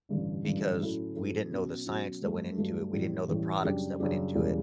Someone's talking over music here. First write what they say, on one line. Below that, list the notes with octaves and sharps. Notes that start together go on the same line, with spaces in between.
because we didn't know the science that went into it, we didn't know the products that went into it
A1 G2 D3
A1 G2 D3
A2 F#3 C#4 E4 A4
A2 F#3 C#4 E4 A4
B2 F#3 C#4 F#4
B2 F#3 C#4 F#4
G2 F#3 A3
G2 F#3 A3
A1 A2 G3
A1 A2 G3
F#2 C#3 G3 D4 G4
F#2 C#3 G3 D4 G4
E1 E2 C#3 G3